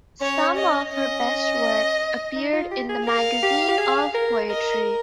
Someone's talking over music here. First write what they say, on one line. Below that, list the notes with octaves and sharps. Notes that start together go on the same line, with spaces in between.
Some of her best work appeared in the "Magazine of Poetry".
C#4 C#5
D#5
C#4 D#5
D#4
F4
G4
G#4
A#4 F5
G4
G4
G#4
A#4
A#4 D#5